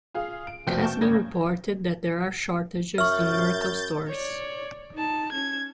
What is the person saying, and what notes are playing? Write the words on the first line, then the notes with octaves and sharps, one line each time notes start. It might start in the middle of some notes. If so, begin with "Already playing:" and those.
It has been reported that there are shortages in Mercal stores.
F4 G#4 F5
D7
F1 B2 F3 G5 G6
A5 C#6 G6
G#1 C#3 G#6 A#6
F#2 E5 C#6 F6 G6 A6
C#5 D5
D#4 A5
C#4 G#6